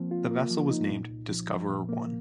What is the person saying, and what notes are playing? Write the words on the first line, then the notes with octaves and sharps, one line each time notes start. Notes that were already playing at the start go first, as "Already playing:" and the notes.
The vessel was named Discoverer One.
Already playing: F3 A#3 C4
F4
A#3
F3
D#4
A#2
C2
F3
F3
A#2
A#3